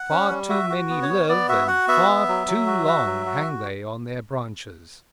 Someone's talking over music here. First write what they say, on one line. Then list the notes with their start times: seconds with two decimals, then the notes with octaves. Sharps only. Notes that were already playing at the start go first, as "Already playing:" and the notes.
Far too many live, and far too long hang they on their branches.
Already playing: F#5
0.10 C#4
0.30 G3
0.49 F#4 E5
0.70 F#4
0.90 B3
1.02 C#5
1.09 B3
1.29 B3 D5
1.49 F#4 E5
1.68 F#4 F#5
1.88 B3 E5
2.08 B3
2.28 F#3
2.47 F#3
2.67 F#4
2.87 F#4
3.06 F#3
3.26 F#4